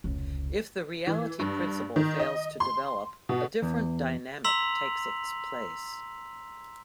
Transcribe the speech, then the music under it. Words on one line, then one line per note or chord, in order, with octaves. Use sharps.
If the reality principle fails to develop, a different dynamic takes its place.
F1 C#2
E3
G2
D#3
D#5
C6
B2
E2
A#5 C6 E6 B6 F7 F#7